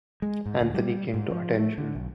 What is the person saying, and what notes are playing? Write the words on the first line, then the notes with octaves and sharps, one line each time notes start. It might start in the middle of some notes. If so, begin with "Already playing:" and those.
Anthony came to attention.
G#3
G#2
D2
G3
G#2
F3
A3
D3
B1